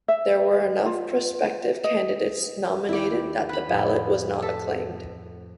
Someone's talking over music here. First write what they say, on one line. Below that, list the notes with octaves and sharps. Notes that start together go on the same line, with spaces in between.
There were enough prospective candidates nominated that the ballot was not acclaimed.
E5
F4
D#5
D#2 E4 G4
B4 B5
F2 A2
A4 A5 B6